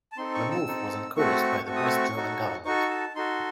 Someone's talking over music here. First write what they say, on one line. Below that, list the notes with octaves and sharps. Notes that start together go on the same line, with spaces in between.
The move was encouraged by the West German government.
A5
C4 D#4 A4 C6
C#6
E6
C4 D#4 A4
A3 C4 F#4 A4 C#6
A3 C4 F#4 A4 C#6
D#6
C#6
D#4 F#4 A4
D#4 F#4 A4 C#6
A5
D#4 F#4 A4 C6